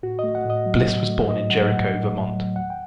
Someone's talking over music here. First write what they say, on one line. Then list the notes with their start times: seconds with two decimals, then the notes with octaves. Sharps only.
Bliss was born in Jericho, Vermont.
0.03 A2 F#4
0.19 A3 D#5
0.35 F#5
0.45 A2 D#5
0.66 F#3
0.87 A2
1.08 A3
1.29 A2 D#5
1.50 F#3 F#5
1.71 A2 F#5
1.93 A3
2.14 A2
2.35 F#3
2.56 D#2 F#5
2.70 G5